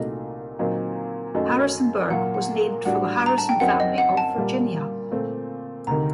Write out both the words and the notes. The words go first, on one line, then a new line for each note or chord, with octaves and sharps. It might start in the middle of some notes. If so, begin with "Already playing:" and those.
Harrisonburg was named for the Harrison family of Virginia.
Already playing: C2 A#2 A3 D#4 F#4 D#5
A#2 F#3 C4 D#4
F#2 D#3 A3 D#4 F#4
A#2 F#3 A#3 F#4 F#5
F#5
A2 G3 D4 F#4 F#5
A#5
A5
G5
F#2 F#3 C4 D#4 F#5
D#5
F#5
A5
A#2 G3 A#3
A#2 A3 C4
D2 C3 D#3 A#5